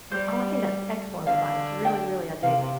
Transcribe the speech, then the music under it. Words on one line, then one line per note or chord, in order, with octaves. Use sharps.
oh, I think that's excellent advice, really, really I do,
G3 C5
D3 F5
G5
C3 F5